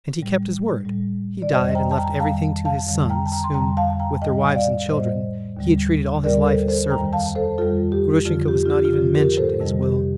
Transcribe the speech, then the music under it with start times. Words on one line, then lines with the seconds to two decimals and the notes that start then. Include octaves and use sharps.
And he kept his word; he died and left everything to his sons, whom, with their wives and children, he had treated all his life as servants. Grushenka was not even mentioned in his will.
0.18 A2 G3
0.85 A2 G3
1.42 D5
1.53 F2 D#3 G3 C5 D#5
1.75 G5 A#5
1.91 A5
1.98 G5 A#5
2.16 A#5
2.20 F2 D#3 G3 F5 A5
2.65 F5 A5
2.87 F2 D3 G3
3.10 G5 A#5
3.26 A5
3.32 G5 A#5
3.44 C6
3.54 F2 D3 G3 G5 A#5
3.77 F5 A5
3.99 G5 A#5
4.22 A2 G3 D#5 G5
4.55 D5 F5
4.89 A2 G3 C5 D#5
5.57 D#2 D3 G3
6.24 D#2 D3 G3 A#4 D5
6.46 A4 C5
6.68 A4 C5
6.90 F2 D#3 G3 G5 A#5
7.13 F5 A5
7.35 A4 C5
7.58 F2 D#3 G3 F4 A4
7.92 G4
8.25 F2 D3 F3 F4
8.48 G4
8.66 F4
8.70 G4
8.85 F4
8.92 F2 D3 F3 G4
9.15 G4 A#4
9.37 A4 C5
9.60 F2 C3 D#3 G3
9.83 G4